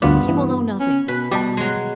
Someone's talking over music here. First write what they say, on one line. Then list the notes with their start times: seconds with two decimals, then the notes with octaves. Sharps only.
"He will know nothing."
0.02 D2 G2 B3 F4 D5
0.28 E3
0.80 C#4
1.08 B2 B4
1.31 B2 G3 G4 D#5 A5
1.57 F#3 G#3